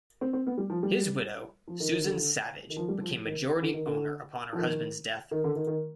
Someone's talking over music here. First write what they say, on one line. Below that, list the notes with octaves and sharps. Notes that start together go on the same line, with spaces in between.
His widow, Susan Savage, became majority owner upon her husband's death.
C4
C4
B3
G3
F3
G3
F3
D#3
D#3
D3
D#3
F3
G3
F3
D#3
D3
D#3
D3
F3
D#3
D#3
D3
D#3
D#3